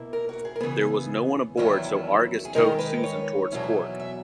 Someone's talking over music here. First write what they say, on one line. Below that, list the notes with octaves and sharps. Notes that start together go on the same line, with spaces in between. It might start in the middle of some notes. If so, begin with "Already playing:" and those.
There was no one aboard so "Argus" towed "Susan" towards Cork.
Already playing: B2 A#3 E4
A#4
F#4
G#4
A#4
C#3 E3 B3 G#4
E2 D#3 F#3 C#4 E4
G#4
D#3 G#3 D#4 A#4
B4
C#5
E2 B2 F#3 C#4 E4
E5